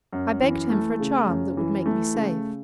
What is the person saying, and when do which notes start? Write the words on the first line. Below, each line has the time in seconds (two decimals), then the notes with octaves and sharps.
I begged him for a charm that would make me safe.
0.12 F#2
0.42 E3
0.70 A3
0.99 C#3
1.28 F#2
1.57 E3
1.86 A3
2.15 C#3